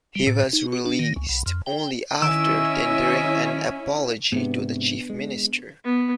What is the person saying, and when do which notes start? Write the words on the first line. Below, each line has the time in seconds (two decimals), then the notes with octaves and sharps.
He was released only after tendering an apology to the Chief Minister.
0.15 G3
0.27 A2
0.53 D#4
0.73 F#4
0.86 D4
0.99 D#3
1.16 C#2
1.29 B1
1.46 F2
1.67 G5
2.22 D#3 C#4 E4 D#5 E5 G#5 E6 D7
4.32 G#2 C3 B3 D4
5.10 G#3
5.85 B3